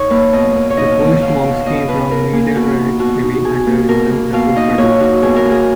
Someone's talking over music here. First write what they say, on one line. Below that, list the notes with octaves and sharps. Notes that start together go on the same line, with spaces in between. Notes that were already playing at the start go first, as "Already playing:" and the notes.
The first monks came from Niederaltaich Abbey under Ilsung, the first abbot.
Already playing: D#4 C#5 D#5
A#3 B4
B2 D#5
A#3
C#5
D#4 D#5
B2
B2 F5
B2
B2 D#5
B2 B4
B2 A#4
A#3 G#4
B2 F#4
D#4
B2 F#4
D#4
B2 G#4
A#3
B2 A#4
A#3
B2 F5
D#4 D#5
A#3 C#5
D#4 F#4
B2 G#4
A#4
A#3
G#4